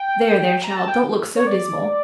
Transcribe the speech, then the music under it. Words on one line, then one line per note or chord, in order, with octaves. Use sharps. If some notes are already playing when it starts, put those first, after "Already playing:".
There, there, child, don't look so dismal.
Already playing: G5
A#5
A5
G5
C#5
D5